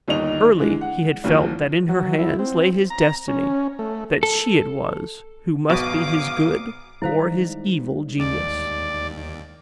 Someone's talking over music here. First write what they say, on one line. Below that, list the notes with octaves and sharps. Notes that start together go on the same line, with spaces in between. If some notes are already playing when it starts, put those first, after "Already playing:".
Early he had felt that in her hands lay his destiny; that she it was who must be his good or his evil genius.
G1 D#2 D#4 D#5 F7
D3 E3 G#3
F#5
F#1 D#2 E3 F3
F#3
E4
C4
A#5
C#4
A3
A4
G#1 B2 F#3 F5 D6 D#6
D#3 G3 G#3 E4 C5 F5
D#2 D5